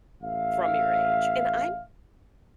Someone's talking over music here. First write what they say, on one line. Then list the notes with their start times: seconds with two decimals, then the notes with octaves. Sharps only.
from your age, and I'm
0.22 A1 E5 F5